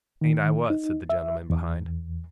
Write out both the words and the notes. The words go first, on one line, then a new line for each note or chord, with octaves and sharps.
'Ain't I what?' said the gentleman behind.
D#3
D#4
E5
E2